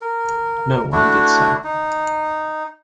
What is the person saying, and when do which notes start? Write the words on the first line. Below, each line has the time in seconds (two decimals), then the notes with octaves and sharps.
No one did so.
0.01 A#4
0.92 A3 D4 E4 F#4
1.64 D#4